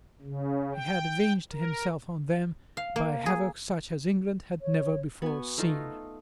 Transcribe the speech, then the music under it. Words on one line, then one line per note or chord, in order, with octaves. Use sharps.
He had avenged himself on them by havoc such as England had never before seen.
C#3
G5
A#4
F5
A#3
G#4
C#5
B3 F#4 G#5
A3 D#4 F4